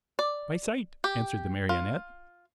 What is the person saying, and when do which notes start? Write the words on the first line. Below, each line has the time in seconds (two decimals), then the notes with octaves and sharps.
"By sight!" answered the Marionette.
0.19 D5
1.04 G4
1.69 F4